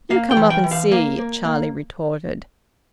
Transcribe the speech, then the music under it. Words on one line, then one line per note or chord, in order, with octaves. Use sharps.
"You come up and see," Charlie retorted.
A#3 F5
G5
E3
G5
E3
F5
A#3 F5
A#3
A#3